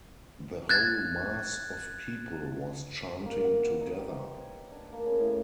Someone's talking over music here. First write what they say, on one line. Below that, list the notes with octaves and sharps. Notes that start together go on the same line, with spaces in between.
The whole mass of people was chanting together.
F#6 G#6 A6
A#3
F#5
B3
D#4
G4
C5
C#5
D4
A#3
C#3
A2